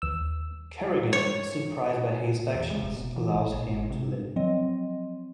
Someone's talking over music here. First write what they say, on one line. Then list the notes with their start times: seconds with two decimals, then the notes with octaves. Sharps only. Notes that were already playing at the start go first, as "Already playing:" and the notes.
Kerrigan, surprised by his actions, allows him to live.
0.02 D#2 E6
1.13 C#5
2.40 A#2
2.55 E2
2.70 G#3
2.83 F1
2.97 B2
3.16 E3
3.35 A1
3.54 A#2
3.68 G#1
3.90 C3
4.36 F3 F#3 C4 D#5